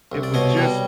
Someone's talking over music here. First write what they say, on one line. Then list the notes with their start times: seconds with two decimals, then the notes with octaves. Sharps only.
it was just
0.12 C2
0.23 D5
0.34 B2 C#5 D#5
0.57 G3